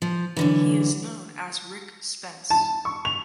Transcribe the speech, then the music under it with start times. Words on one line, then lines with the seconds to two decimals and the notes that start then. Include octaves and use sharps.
He is known as Rick Spence.
0.02 F3
0.37 F#2 D3 E3
2.50 A5
2.85 C#6
3.05 F7